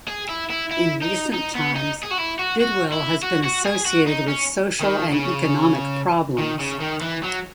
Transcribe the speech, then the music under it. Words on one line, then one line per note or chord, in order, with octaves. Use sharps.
In recent times, Bidwill has been associated with social and economic problems.
G#4
E4
E4
E4
D#4
D#4
B3
D#4
G#4
F#4
E4
F#4
F#4
E4
F#4
F#4
G#4
F#4
D#4
C#4
D#3
C#3
D#3
C#3
D#3
E3
F#3